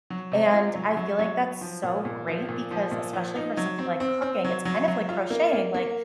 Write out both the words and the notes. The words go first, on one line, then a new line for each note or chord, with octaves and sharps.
And I feel like that's so great because especially for something like cooking, it's kind of like crocheting, like,
F#3
C3
F4
F#3
F#3
F#3
F#3
F3
A#2
A#2
F3
A#2
F3
A#2
F3
D#4
F#3
C4
C4
C4
F#3
F#3
F#3
F4
A#3
A#3
A#3